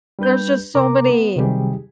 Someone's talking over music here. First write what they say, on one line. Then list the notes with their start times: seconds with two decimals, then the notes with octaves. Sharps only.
there's just so many
0.19 G3 D4 B4 G6
0.75 C3 A#4 A#5 D6
1.10 B3
1.36 C3 D#3 F#3 G3 G4 G#4